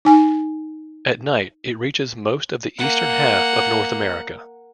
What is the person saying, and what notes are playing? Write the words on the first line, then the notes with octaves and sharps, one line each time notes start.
At night, it reaches most of the eastern half of North America.
D#4 G#5
A#3 F#5